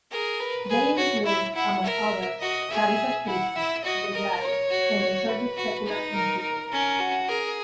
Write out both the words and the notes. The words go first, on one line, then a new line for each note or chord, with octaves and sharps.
They include, among others, Caritas Christi, The Grail, and the Servite Secular Institute.
G#4 A#4
B4
G#4 B4
F#4 C#5
E4 E5
E4 F#5
A#4 E5
F#4 D#5
G#4 E5
E4 F#5
E4 E5
F#4 D#5
A#4
C#5
F#4
C#5
B4
F#4
D#4
A#4
A#4
C#4 A#4
F#4
G#4 A#4